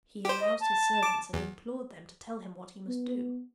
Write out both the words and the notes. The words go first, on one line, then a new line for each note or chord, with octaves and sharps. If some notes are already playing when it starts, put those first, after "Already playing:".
He aroused his servants and implored them to tell him what he must do.
G4 C5
D#5
A5
D6
E2
B3